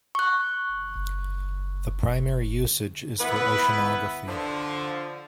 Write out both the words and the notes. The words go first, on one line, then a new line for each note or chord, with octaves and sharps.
The primary usage is for oceanography.
C#6 F#6
B3 E4 B4
D3 F3